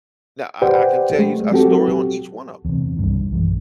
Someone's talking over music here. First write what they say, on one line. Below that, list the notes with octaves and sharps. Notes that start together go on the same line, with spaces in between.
now I I can tell you a story on each one of
G4 B4 C5 D5 F#5 G5
G#3 A3
F#3 C4 F#4 G4 A4
E2 C3
C2 G2 D#3
A#1 F#2 E3 G#3